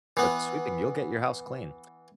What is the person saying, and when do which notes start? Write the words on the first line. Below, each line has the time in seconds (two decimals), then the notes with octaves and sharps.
But sweeping, you'll get your house clean.
0.17 E3 B3